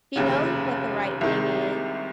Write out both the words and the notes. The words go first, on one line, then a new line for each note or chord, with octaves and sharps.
she knows what the right thing is,
F1 D#2 C#3
C2 C3 D#3 G#3